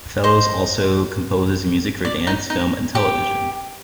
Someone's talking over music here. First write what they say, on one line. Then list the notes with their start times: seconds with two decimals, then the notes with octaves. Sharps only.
Fellows also composes music for dance, film and television.
0.24 C5 D#5
2.05 D5
2.27 D#4
2.50 D#4
2.95 G4